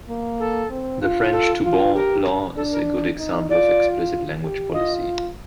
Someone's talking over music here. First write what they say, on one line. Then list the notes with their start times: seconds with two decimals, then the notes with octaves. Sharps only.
The French Toubon law is a good example of explicit language policy.
0.09 A#3
0.39 A4
0.70 C4
1.02 F4
1.32 A4
1.64 F4
1.95 G4 A#4
2.56 D4 A4
2.72 A#4
3.18 D#4
3.49 F4 D5
4.42 G4
4.73 F4 D#5